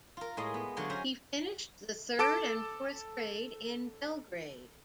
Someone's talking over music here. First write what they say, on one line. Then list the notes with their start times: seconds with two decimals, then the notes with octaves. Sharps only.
He finished the third and fourth grade in Belgrade.
0.17 F4 A#4
0.37 A2 G#3 D#5 C6
0.54 B3
0.77 D3 F#3 C#5 F5 F#5 C6
0.90 C#4 C5 E5 G#5 A#5 C6
2.19 A4 A5 D6 D7